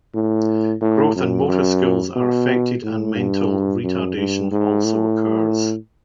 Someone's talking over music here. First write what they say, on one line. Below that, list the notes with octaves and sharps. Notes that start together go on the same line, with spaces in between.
Growth and motor skills are affected, and mental retardation also occurs.
A2
A2
F#2
F#2
B2
A2
G2
F#2
G2
G#2
A2